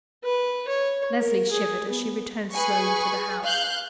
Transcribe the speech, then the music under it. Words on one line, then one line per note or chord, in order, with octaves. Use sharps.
Leslie shivered as she returned slowly to the house.
B4
C#5
A#4
G#4
B3
G#4 B4 G#5 C#6
F5 F#6 G6